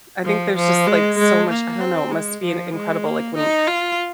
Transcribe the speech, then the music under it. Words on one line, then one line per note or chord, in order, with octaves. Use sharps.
I think there's just like so much I don't know, it must be an incredible like when
F3
F3
G#3
G#3
A#3
C4
G#3
F3
G#3
A#3
D#4
F4